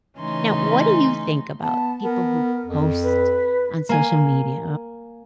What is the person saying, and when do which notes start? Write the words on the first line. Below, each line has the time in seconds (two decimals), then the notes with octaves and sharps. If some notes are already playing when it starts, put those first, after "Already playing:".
Now, what do you think about people who post on social media,
0.19 C#3 E3 A3 C#4 D#4 C6
1.62 B3 A5
2.03 B3 A#4
2.66 F2
3.04 B4
3.89 A#3 G#5